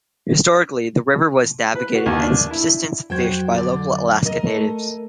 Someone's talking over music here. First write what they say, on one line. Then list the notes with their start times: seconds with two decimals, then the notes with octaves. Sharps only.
Historically, the river was navigated and subsistence fished by local Alaska Natives.
1.75 B4
1.94 F#4
2.06 D#2
2.20 D4
2.51 E4
3.10 F2 F#3 F#4 C5 G5 G#6
3.54 D3 D5
4.24 A#4 D#5
4.47 A3 A4